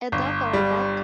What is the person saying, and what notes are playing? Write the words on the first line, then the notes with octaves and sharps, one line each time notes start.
A dog or a duck?
G1
G3